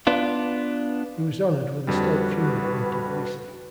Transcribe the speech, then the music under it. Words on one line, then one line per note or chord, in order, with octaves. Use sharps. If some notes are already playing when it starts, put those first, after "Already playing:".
He was honored with a state funeral in Tbilisi.
B3 D4 F4
F2 D3 G3 F#4 B4